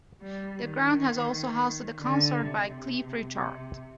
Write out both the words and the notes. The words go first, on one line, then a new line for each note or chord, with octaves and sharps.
The ground has also hosted a concert by Cliff Richard.
G3
D#3
D3
C3
C3